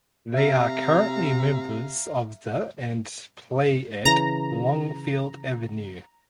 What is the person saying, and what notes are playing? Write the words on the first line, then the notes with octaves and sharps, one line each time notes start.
They are currently members of the and play at Longfield Avenue.
C3 E5 F5 A#5
C#3 E3 A#5